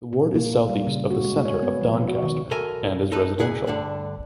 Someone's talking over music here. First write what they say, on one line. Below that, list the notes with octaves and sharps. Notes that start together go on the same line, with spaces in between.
The ward is to the southeast of the centre of Doncaster and is residential.
A#2
A#3
G3
C#3
F#4
G#3
C#5
B3
F3
B2
F#4
D#3
B1 B2 A4 A#4 E5 G#5
D#4 A4 B4
D2 E4 G#4 F#5
G2 D3 A3 D4